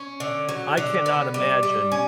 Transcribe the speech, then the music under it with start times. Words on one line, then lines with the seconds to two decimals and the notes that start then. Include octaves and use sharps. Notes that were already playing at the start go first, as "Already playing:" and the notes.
I cannot imagine
Already playing: C#4
0.20 D3
0.49 F#3
0.77 D3
1.06 B3
1.34 G3
1.63 G3
1.92 C#4